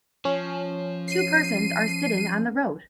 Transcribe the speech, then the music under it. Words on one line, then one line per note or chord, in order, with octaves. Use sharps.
Two persons are sitting on the road.
F3 C#4
C7 D#7